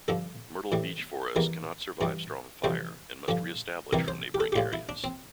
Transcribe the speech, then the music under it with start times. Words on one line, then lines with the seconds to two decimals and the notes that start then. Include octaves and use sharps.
Myrtle beech forests cannot survive strong fire, and must re-establish from neighbouring areas.
0.08 G2 D3 F3 A4
0.72 A2 E3 G3
1.36 E2 E3 G3 A#4
2.01 G2 E3 G3
2.64 F2 C3 E3 G3 C5
3.28 G2 D3 F3
3.93 C2 C3 E3 G3 A#4
4.08 C5
4.34 G4
4.40 A4
4.52 G4
4.56 A2 G3 F4
4.73 E4
4.89 D4
5.04 C4